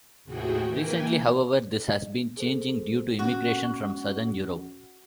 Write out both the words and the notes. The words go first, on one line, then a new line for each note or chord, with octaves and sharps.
Recently, however, this has been changing due to immigration from Southern Europe.
D#2 A2 C3 F#4 G#4 G5
E3 A#3 G5 G#5
G#4 A4 C5
C#4 F#4